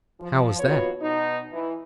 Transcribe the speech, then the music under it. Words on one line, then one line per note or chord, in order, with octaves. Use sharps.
"How was that?"
F3
D#2 B3 F4 F#4 B4 C#5
B2 D#4
E3